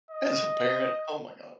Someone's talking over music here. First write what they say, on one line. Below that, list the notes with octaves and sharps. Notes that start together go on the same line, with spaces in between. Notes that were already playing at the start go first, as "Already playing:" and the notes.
As a parent, oh my god.
D#5